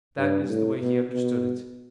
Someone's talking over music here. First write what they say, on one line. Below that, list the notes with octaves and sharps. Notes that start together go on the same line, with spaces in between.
That is the way he understood it.
G2
A2
B2
B2